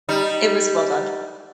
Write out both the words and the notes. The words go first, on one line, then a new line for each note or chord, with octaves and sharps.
it was well done.
G3 D#4